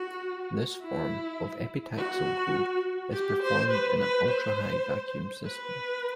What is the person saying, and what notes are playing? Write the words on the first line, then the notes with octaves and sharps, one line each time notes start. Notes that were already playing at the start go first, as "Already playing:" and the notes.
This form of epitaxial growth is performed in an ultrahigh vacuum system.
Already playing: F#4
E4
F#4
G4
C5
B4
B4
C5
B4